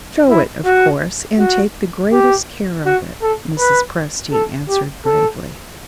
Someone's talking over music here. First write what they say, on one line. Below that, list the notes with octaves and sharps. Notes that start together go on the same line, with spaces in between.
"Show it, of course; and take the greatest care of it," Mrs. Presty answered gravely.
E4
F#4
F#4
G4
F#4
A4
B4
A4
G4
A4